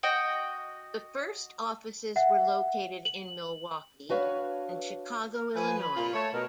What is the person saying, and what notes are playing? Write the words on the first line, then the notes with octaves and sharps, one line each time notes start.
The first offices were located in Milwaukee and Chicago, Illinois.
F#4 D#5 G5
E5 F#5
F#7
D4 F#4 B4 C#5 F5
A#4
F3 B4 G#5
B5
A#2 F4
A3 C#5 A5
B2 A#4